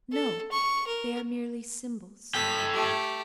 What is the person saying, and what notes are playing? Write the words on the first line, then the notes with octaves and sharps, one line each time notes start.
No, they are merely symbols.
A4
C#6
A#4
A4 G5 B6
A3 G4